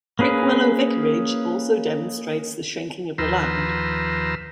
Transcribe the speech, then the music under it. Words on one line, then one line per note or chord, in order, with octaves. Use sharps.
Prickwillow vicarage also demonstrates the shrinking of the land.
A#3 C#4 G#4 B4
D#2 F3 B4 A#5 C6 E6